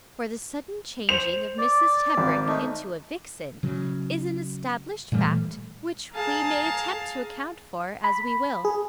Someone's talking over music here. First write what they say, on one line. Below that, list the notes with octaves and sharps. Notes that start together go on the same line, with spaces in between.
For the sudden changing of Mrs. Tebrick into a vixen is an established fact which we may attempt to account for as we will.
C5 F7
D5
G#1
A3 D#4
C#3 F#3
A#2 E3 G3 A3
G#4 F5 A5 A#5
B5
G#4